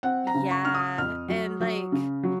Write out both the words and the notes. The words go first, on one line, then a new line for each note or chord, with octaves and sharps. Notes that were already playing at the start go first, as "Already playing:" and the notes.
Yeah, and like,
C4 F#5
A#5
C#3
C#6
C#3 F6
D#6
F2 F6
F#3
F#3
C#3
F#3